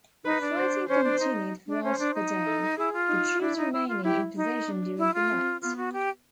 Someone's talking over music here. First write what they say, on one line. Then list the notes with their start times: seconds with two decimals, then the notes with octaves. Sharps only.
Fighting continued throughout the day, the troops remaining in position during the night.
0.25 D#4 B4
0.41 D4
0.57 C5
0.88 C#4 C5
1.04 D4
1.19 D#4
1.67 D4
1.84 C#4 C5
1.99 D4
2.14 D#4
2.46 A4
2.77 E4 G#4
2.93 F4
3.09 D#4
3.41 D4 E4
3.57 D#4
3.73 E4
3.88 F4
4.04 E4 G4
4.36 D#4
4.67 D4
4.98 E4
5.14 F4
5.30 C4
5.61 B3 F4
5.77 F#4
5.93 G4